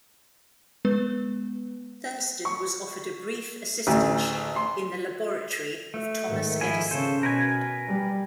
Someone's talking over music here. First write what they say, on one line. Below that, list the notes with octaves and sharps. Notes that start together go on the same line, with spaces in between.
Thurstone was offered a brief assistantship in the laboratory of Thomas Edison.
G#3 B3 B4
C#6
A1 D2
C6
A3
G#2 D#3
F3 E4 G#5
C#3 C#4 A4 C5
B2 A#4 B4 G#5
G3